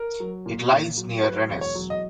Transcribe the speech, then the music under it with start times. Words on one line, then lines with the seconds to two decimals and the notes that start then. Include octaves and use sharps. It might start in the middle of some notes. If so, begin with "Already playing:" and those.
It lies near Rennes.
Already playing: A#4
0.20 F#3
0.46 A#2
0.72 A#2
0.97 F#3
1.23 F#3 B4
1.49 E1
1.61 C#5
1.75 F#3
1.90 D#5